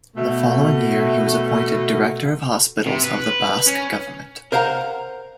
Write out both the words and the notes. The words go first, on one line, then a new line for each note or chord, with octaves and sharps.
The following year he was appointed Director of hospitals of the Basque Government.
B2 A3
C3
B4
C#4
A#4 C5 F5 F#5 A#5